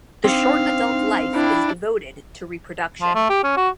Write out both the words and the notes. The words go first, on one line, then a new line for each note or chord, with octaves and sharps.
The short adult life is devoted to reproduction.
C4 D4 D#4 F5
D4 E4 G5 B5
F3
A3
G4
C#4
F#4